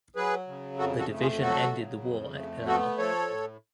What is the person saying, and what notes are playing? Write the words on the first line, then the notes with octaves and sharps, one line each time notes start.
The division ended the war at Pillau.
F#3 G#4 B4
C#3
F2 F#4 A4
F#4 A4
A3
F4 G#4
F#3 F#4 A4
C#3
F2
A3
B3 F#4 A4
F3 A4 C#5
A2